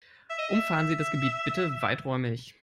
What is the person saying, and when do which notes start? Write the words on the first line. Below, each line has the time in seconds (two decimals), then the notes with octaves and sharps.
Umfahren Sie das Gebiet bitte weiträumig.
0.30 E5
0.38 D#5
0.48 E5